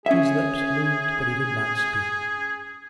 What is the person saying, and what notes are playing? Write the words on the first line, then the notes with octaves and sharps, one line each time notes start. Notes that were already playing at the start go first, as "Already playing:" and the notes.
His lips moved but he did not speak.
C#4 G#4 E5